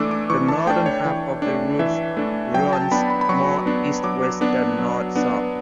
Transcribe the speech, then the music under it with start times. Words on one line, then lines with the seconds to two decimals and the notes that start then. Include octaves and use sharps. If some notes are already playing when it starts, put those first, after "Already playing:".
The northern half of the route runs more east-west than north-south.
Already playing: E3 A3 D4 D6 E6
0.11 D6
0.30 E3 C#6
0.48 A5
0.67 A3 D4 G5
0.86 C#5
1.05 E3
1.42 A3 D4
1.79 E3 E5
2.17 A3 D4
2.54 F#3 G5
2.73 A5
2.91 B3 D4 B5
3.10 B5
3.21 B5
3.29 F#3 C#6
3.66 B3 D4
4.03 F#3 D6
4.41 B3 D4
4.79 F#3
5.16 B3 D4